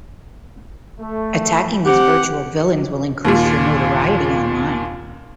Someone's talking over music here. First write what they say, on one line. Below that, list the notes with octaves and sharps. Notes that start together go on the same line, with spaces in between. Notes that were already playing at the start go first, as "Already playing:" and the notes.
Attacking these virtual villains will increase your notoriety online.
A3
C4 G4 F#5
D#2 A#2